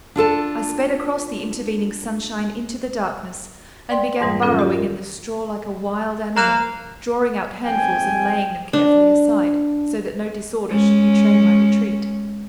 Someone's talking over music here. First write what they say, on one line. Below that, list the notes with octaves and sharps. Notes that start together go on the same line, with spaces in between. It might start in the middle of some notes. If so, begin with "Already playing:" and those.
I sped across the intervening sunshine into the darkness, and began burrowing in the straw like a wild animal, drawing out handfuls and laying them carefully aside, so that no disorder should betray my retreat.
D4 F4 A4 A5
D5 G5 C6
F2 G#2 E3 G3 D#6
D#3 F#3 C#4 F4 A4
G4
A#4
A#3 A#5 F#6 E7
F2 G#2 G5 G#5
D4
G#3 C#4